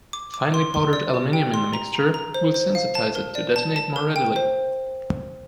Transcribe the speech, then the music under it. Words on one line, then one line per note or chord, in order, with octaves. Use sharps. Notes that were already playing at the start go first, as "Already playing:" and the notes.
Finely powdered aluminium in the mixture will sensitise it to detonate more readily.
D6
D6
C6
C6
D5
G4
G5
C6
A#5
A#5
A#5
C5
C5
F5
A5
A#4
D5
A5
A5
A#4
G5
C5